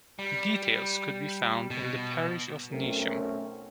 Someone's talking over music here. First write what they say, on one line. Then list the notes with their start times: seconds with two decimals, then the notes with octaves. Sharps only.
Details could be found in the parish of Neasham.
0.19 G3
1.71 B2
2.72 B1 F#3 A3 C4 C#4 A#4